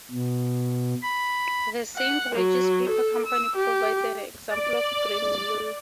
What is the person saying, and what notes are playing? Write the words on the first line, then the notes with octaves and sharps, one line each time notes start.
The Saint Regis Paper Company provides an example of greenmail.
B2
B5
F#5
F#3
A4
E6
G4
D5